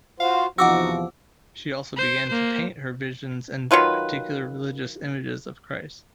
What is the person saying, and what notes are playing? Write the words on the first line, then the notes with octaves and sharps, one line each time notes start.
She also began to paint her visions and particular religious images of Christ.
F4 F#4 C5 F5
E2 C3 F3 D#4 F#4 F#5 D6 E6
C5
A#3 C5
D#3 F#3 F4 B4